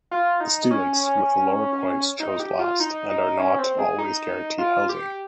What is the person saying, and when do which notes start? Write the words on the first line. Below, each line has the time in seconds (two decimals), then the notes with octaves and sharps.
The students with the lower points choose last and are not always guaranteed housing.
0.11 F4
0.40 D#4
0.71 C#4
2.20 D#4
2.40 G4
2.59 F4
2.80 D#4
3.10 D#4
3.39 C#4
3.59 C4
3.79 G#4
3.98 D#4
4.58 F4
4.89 G4